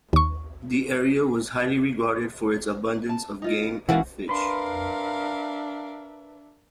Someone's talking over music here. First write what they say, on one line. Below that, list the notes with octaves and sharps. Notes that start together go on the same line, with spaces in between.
The area was highly regarded for its abundance of game and fish.
D#2 C#6
A5
D#4 F4 D#5
E3 C#4 E4 F#4 A#4 F5
D4 A#4 B4 E5 F5 C6